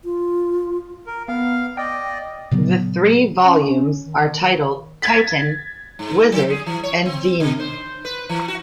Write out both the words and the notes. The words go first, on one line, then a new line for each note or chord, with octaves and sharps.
The three volumes are titled "Titan", "Wizard", and "Demon".
F4
A#4
B3 F5
D5 D#5 G5
A#2 C#3 F#3 B3
C#4
D#3
G#6 A6 B6
G#2
F#3
G#4
E3
C#5
C4
D3
C5
B4
E3
F#4